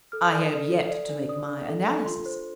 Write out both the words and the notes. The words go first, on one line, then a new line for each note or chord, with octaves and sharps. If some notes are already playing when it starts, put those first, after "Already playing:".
"I have yet to make my analysis."
A4 F6
D5 D#6
A4
A4
D5
D4
D5 D#6
D4
A4
A4
F4 C6
C5